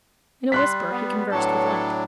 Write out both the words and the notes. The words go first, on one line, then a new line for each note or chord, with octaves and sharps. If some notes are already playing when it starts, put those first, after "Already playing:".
In a whisper he conversed with Link.
G3 C6 F#6 B6
B3
A2 F#3 B3 D4 A4 C#5